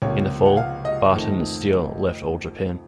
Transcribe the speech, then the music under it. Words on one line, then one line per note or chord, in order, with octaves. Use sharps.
In the fall, Barton and Steele left All Japan.
C#2 C3 F3 A#3 C#5
F#5
F5
D#5
F2 D#3 A3